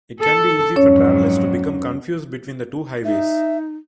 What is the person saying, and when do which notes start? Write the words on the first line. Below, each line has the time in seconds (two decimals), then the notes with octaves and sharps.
It can be easy for travelers to become confused between the two highways.
0.20 A4
0.76 F2 G#2 F#3 C#4 C#5
3.05 D#4 E5